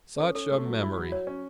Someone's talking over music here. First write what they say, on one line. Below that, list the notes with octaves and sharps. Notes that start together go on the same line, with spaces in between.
Such a memory!
C#4 A4
C#4 A4
A3
F#3
E4
F#3
F#3 C#5
C#4